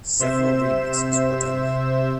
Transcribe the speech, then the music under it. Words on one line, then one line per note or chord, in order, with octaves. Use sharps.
Several remixes were done.
C3 C5 E5 E7